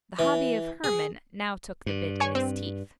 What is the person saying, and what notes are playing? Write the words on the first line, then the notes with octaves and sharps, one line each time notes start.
The hobby of Hermann now took the bit in his teeth.
E3
G#4
G2
C#5 G#5 C#6
C4